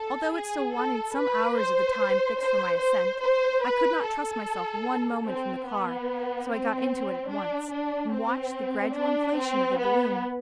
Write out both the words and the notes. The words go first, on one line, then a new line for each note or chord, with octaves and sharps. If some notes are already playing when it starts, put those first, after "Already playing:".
Although it still wanted some hours of the time fixed for my ascent, I could not trust myself one moment from the car, so I got into it at once, and watched the gradual inflation of the balloon.
Already playing: A4
G#4
A4
B4
C5
C5
C5
C5
B4
A4
C4
B3
C4
D4
D4
C4
D4
C4
B3